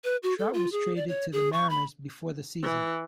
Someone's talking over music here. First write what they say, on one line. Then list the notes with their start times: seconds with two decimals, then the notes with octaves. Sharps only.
Trout was traded to the Mariners before the season.
0.04 B4
0.23 F#4
0.38 A4
0.53 F4
0.72 G#4
0.96 D5
1.08 C#5
1.32 G#4
1.53 C#6
1.70 B5
2.63 E3